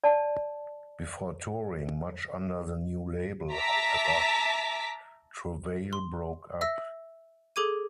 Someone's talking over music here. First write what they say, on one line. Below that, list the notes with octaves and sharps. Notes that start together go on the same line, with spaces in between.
Before touring much under the new label, however, Travail broke up.
D5 A5
E5 A5 A#5 D6 B6
C6
E5 E6 A#6
G#4 A4 D6 G#6 D#7